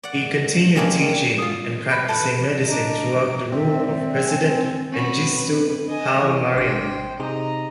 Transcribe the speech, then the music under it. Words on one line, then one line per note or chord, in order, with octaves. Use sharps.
He continued teaching and practicing medicine throughout the rule of President Mengistu Haile-Mariam.
D5 F#5
C#3 G3 G#3 A#3 D4
F4 D#6
B5
A4 B4
D4 D#5 A#5 D7
C4 D5 E5
C5 G#5
C4 C#4 F#4 B4
B4
D#5 G#5
E3
G#1 D4 C5 G5 D6
C3 D#4 G#4 D#5 A#5